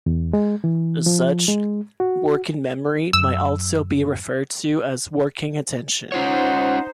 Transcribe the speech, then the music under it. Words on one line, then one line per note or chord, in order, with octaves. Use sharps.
As such, working memory might also be referred to as "working attention".
E2
G#3
E3
F3
G#3
F#4
F#2 E6
C#4 D#4 F4 C5 C#5 F#5